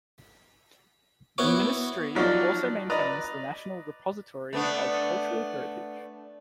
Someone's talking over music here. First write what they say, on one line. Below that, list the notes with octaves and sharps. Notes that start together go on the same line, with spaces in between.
The ministry also maintains the National Repository of Cultural Heritage.
B3 E4 F#4 C#5 C#6 D6
F3 F#3 D#4 F4 D5
B4 D5 D#5 A#5
A3 B3 D4